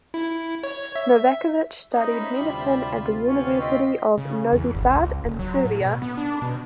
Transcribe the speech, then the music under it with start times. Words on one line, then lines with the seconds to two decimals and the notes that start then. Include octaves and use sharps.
Novakovich studied medicine at the University of Novi Sad in Serbia.
0.14 E4
0.63 C#5
0.96 E5
1.93 C#4 D#4 C5 E5 B5
2.37 D2 C3 G3 F4
3.28 B3 C#4 G4
3.60 C4 D#5 C6 B6
4.18 C#3
4.53 E2
4.75 G1
4.90 C#2
5.24 D#1
5.39 F#3
5.65 A2
5.80 B2
6.02 B3
6.17 D4
6.42 B2